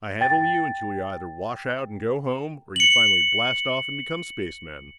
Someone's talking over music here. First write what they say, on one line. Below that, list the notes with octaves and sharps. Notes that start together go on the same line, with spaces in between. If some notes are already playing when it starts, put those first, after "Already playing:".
I handle you until you either wash out and go home, or you finally blast off and become spacemen.
G5 A6
C#7 F#7